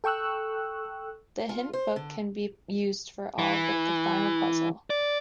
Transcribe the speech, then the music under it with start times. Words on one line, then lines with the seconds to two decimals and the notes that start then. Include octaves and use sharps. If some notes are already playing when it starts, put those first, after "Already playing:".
The hint book can be used for all but the final puzzle.
0.04 A4 G5 C#6 E6 F#6
1.49 F4
1.73 C5
1.96 D3
3.39 E3
4.90 D5